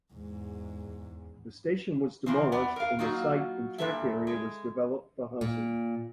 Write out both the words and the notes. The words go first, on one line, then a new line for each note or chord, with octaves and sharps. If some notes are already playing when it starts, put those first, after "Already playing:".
The station was demolished and the site and track area was developed for housing.
E2 G#2
C3 E3 F3
B3 D5 F#5
A#4 F5
F#3 A#3 D#4 F4 F#4
G2 A#2 A4 E5
G#3
A#2